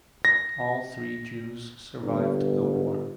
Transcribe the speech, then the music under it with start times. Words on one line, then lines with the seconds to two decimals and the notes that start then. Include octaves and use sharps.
All three Jews survived the war.
0.25 A#6
2.03 G1